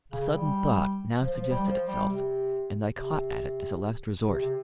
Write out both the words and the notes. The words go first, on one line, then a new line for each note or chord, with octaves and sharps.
A sudden thought now suggested itself, and I caught at it as a last resort.
C#3
G3
F3
F3
G3
F3
G3
C3
C3
C3
C3